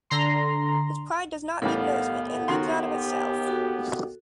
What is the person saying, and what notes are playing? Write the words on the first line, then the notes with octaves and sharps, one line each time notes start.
His pride does not need nourishment; it lives out of itself.
D3 A#5 C6
D#2 A2 E3 G3 B3 A4 F5 F#5
D#3 F#4 C6
G4
F#4 A4